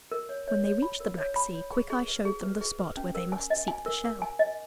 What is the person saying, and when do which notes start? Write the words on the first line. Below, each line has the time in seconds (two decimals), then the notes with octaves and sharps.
When they reached the black sea, Quickeye showed them the spot where they must seek the shell.
0.12 A#4
0.29 C#5
0.48 C#5
0.65 C#5
0.82 B5
1.00 A#4
1.18 C#5
1.36 B5
1.54 C#5
1.72 G#4
1.90 G#4
2.08 B4
2.25 G#4
2.43 B4
2.61 G#4
2.79 B4
2.97 C#4
3.15 A#4
3.32 G#5
3.50 D#5
3.68 G#5
3.86 A#4
4.04 A#4
4.22 G#5
4.39 D#5